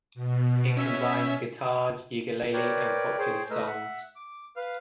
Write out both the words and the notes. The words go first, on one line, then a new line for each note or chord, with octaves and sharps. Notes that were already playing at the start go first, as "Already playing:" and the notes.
It combines guitars, ukulele, and popular songs.
B2
C#4 E5
A#4 B4 C#5 D5 G5
G#4 C5 C#5 G5
A3 B4 D#5 A#5 E6 F6
E5 F#5
D6
B4 F5 F6